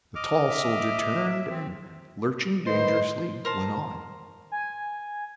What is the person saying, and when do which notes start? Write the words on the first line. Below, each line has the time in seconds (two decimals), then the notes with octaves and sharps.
The tall soldier turned and, lurching dangerously, went on.
0.15 D#5 D6 F6
0.49 E5
1.50 C4
2.67 D#3 B4 C5 D#5
3.45 A#4 C5 A5
4.52 G#5